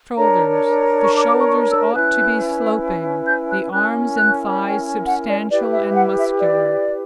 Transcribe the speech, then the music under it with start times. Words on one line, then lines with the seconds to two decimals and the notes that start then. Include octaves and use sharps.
SHOULDERS--The shoulders ought to be sloping, the arms and thighs substantial and muscular.
0.16 D4 A#4 C#5 A#5
1.05 C#6
1.17 D6
1.28 D6
1.39 C#6
1.50 C#6
1.72 E6
1.94 C#4 E4 B4 F#6
3.27 G6
3.51 F#6
3.72 C#4 E4 A#4 F#6
4.17 F#6
4.61 G5
5.05 F#5
5.29 D5
5.50 E4 G4 B4 D5
5.72 E5
5.90 E5
5.94 F#5
6.17 E5
6.40 D5